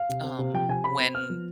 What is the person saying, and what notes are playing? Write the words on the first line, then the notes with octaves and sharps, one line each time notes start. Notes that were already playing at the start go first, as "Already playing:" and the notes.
um, when
Already playing: F5
C3
C4
C3
F3 G5
C3 G#5
C4 B5
C4
B3 F6
F3